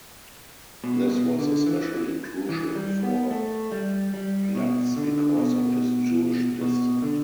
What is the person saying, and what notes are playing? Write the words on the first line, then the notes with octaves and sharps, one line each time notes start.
This was especially crucial for Platz because of his Jewish descent.
B2
B2
D3
E3
E3
G3
B3
A3
G3
G3
B2
D3
B2
B2
D3